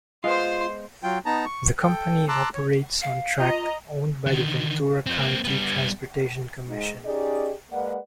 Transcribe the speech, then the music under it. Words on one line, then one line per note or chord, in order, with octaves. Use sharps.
The company operates on track owned by the Ventura County Transportation Commission.
G#3 B3 F4 C5 F5 C6
F#3 F4 G5
B3 D#4 A5 A#5
C#6
A4 G5
A5 A#5 C6 D6 E6 F#6
C#5
F5
F4 D#5 A#5
D3 D#3
C4 F4
A#3 C4
G3 B3
G#2 D#4
C#4 D#4 G4 G#4 D5 D#5
G#3 A#3 B4 D5 F#5